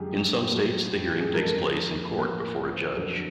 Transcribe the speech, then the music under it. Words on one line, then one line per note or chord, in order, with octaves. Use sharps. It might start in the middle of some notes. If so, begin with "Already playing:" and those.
In some states, the hearing takes place in court before a judge.
Already playing: F#2 D3 F3 G#3 G4 G#4
A2 F#3 A3
G4
G#4
F2 C#3 F3 G#3 A#4
A4
A#4
A2 F3 A#3 B4
C5
B4
A#4
F2 D3 F#3 A4